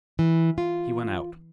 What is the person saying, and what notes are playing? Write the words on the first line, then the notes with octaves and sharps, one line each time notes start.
He went out.
E3
F4